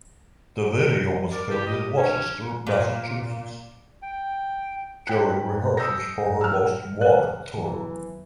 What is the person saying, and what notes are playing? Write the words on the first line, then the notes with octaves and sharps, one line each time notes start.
The video was filmed in Worcester, Massachusetts during rehearsals for her Most Wanted Tour.
A#4 D5
E4 G4
G4 D#5
C#4 D4
A#2
G5
G5 F#6
D#6 E6 G6 A#6
E6 F6
F#6
D#2 E3 F#3 B3